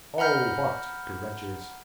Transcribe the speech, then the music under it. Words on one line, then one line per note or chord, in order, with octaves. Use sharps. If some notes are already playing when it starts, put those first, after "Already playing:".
Oh, what grudges!
F#5 A#5 B5 F6 G6